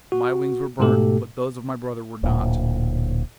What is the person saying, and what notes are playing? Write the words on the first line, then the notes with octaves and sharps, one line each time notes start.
My wings were burnt, but those of my brother were not....
F#4
G#2 B2 A3 G4 A4
D1 A#2